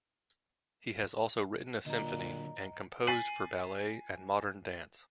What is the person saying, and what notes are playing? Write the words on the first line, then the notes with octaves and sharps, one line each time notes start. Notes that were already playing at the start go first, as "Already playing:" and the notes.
He has also written a symphony and composed for ballet and modern dance.
A#2 D3 F#3 D#5 A#5
G#5 A6 B6 C7 D#7 F#7